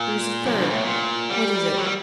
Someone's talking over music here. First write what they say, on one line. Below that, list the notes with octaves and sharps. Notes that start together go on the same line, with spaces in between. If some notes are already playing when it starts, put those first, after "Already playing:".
There is a third. What is it?
Already playing: A#2
F#2
G2
A2
A#2
G3
F#3
G3